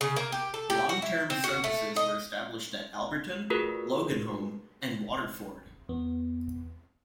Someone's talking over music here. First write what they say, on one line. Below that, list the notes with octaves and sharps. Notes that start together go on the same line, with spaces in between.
Long-term services were established at Alberton, Loganholme and Waterford.
C#3
A#3
G4
A4
G4
F#4
E4
C4
F#4
A3
D#5
A3 F4 F#4 G#4 A#4 B4
E2 B3